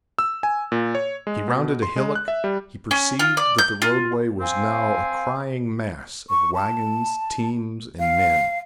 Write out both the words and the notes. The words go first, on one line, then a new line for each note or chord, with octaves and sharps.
As he rounded a hillock, he perceived that the roadway was now a crying mass of wagons, teams, and men.
E6
G#5
A#2
C#5
G#3
B2
C6
G#3
F#6
E5
G3
C#4
F4
D5
G6
F4
C4 F5 G#5
C#6
A5
F5